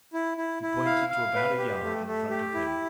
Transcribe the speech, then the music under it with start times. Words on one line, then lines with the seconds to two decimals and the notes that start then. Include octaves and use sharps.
He pointed to about a yard in front of him.
0.13 E4
0.37 E4
0.63 E4
0.86 F5
1.10 F5
1.35 B4
1.58 G4
1.83 A3
2.06 A3
2.30 G4
2.54 E4